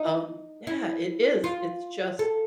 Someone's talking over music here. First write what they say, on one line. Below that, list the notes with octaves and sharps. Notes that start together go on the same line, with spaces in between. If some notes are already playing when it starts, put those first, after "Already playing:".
um yeah, it is, it's just,
Already playing: D#4
E4
F4
A4